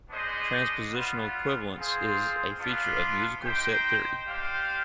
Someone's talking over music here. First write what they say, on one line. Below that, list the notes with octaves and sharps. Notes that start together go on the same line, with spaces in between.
Transpositional equivalence is a feature of musical set theory.
B3 D4 G#4 C5 D#5
G3 B3 F4
C4 F4 G#4 C5
B3 D4 F4
D#4 G4 C5 G5
D4 G4 C5 F5